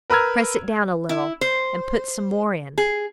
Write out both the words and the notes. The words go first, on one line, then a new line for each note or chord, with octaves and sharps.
Press it down a little, and put some more in.
A#4 B4 A#5 E6 F6 G#6
E4
C5
G#4